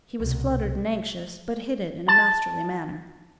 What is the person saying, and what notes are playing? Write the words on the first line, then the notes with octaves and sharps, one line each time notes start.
He was fluttered and anxious, but hid it in a masterly manner.
C2 B2
A5